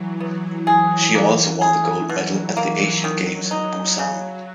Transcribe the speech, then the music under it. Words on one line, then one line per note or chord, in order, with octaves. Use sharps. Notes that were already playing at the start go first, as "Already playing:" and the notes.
She also won the gold medal at the Asian Games in Busan.
Already playing: E3 F#3
E3 B3
G#4
A#3
G#4
B2 F#3
A#3
D#3
D#4
C#3 F#3